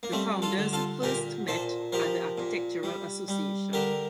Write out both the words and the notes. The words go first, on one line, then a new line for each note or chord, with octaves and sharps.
The founders first met at the Architectural Association.
A#3
G3 A3 C4
F4 A4
D3
F4 A4
A#2 G4 A#4
A#2 A4 C5
F3 G4 A#4
A#2
G3
G3
D3 G4 A#4